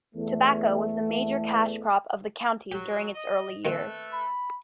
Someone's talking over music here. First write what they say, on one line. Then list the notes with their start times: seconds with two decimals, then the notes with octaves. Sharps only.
Tobacco was the major cash crop of the county during its early years.
0.15 E2 A3
2.72 F#3 G4
3.15 D#5
3.65 D#3 A3 A#3 C4 A4 B4
4.13 B5